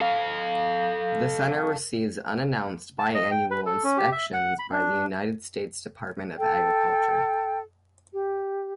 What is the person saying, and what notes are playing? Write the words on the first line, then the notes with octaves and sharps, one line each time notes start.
The center receives unannounced bi-annual inspections by the United States Department of Agriculture.
A4 F5
A5
D#5
G5
B4
A4
C#4
G4
E5
F#5
B5
D4
A4 G5
G4